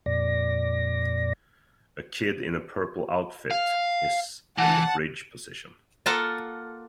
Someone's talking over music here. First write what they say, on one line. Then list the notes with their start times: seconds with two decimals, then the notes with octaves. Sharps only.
A kid in a purple outfit is in the bridge position .
0.06 F2 A#2 D5 A#6
3.51 F5
4.58 E3 F#5 A5
6.06 A#3 F4 A4 F5 F#5 A5